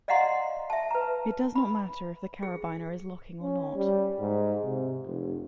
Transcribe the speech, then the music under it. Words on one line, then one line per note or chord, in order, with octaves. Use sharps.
It does not matter if the carabiner is locking or not.
D5 D#5 F5 F#5 A#5 C6
E5 A5
B4 A#5
B5
G#4
C#4
G3
G#2
C3
F1